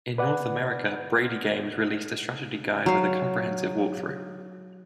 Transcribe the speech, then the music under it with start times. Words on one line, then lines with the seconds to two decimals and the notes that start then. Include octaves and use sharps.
In North America, BradyGames released a strategy guide with a comprehensive walkthrough.
0.18 B4 D5 F#5
2.86 F#3 F5